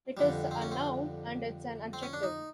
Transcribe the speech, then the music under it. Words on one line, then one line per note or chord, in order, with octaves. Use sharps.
It's a noun and it's an adjective.
F2 D3 G3
C4
C#4
C4
C4
C#4
D4
D#4